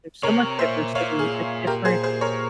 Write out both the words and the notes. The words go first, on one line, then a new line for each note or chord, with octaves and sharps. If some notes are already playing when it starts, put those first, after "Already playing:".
there's so much diversity that different
C3 A#4 C#5
A#2 C5 E5
A#2 C#5 F5
G#4
G4 A#4
G#4 C5
G#4 C5
A#4 C#5